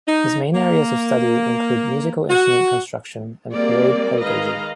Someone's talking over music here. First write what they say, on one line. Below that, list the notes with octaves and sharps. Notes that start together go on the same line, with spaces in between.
His main areas of study include musical instrument construction and parade pedagogy.
D#4
A#3
F#4
G3 G#3 A#3 C4 D5
D#3 G#3 B4 D#5 F5 A#5